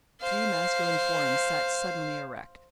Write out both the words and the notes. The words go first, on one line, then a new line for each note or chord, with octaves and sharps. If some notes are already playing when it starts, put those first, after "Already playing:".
Three masculine forms sat suddenly erect.
C5 F5